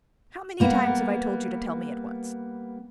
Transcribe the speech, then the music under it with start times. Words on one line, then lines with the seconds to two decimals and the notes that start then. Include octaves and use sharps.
"How many times have I told you to tell me at once?"
0.60 G3 A#3 B3